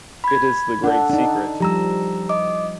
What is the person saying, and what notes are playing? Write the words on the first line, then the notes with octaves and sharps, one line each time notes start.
It is the Great Secret.
B5 G#6
D4 A4 F#5
D4 D#4
F3 G3 G4 A#5 E6
D#5 D6